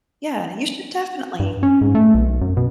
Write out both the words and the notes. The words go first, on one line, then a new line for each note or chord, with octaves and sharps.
yeah, you should definitely.
G2
C#4
G#2
A3
B1
F#2
B2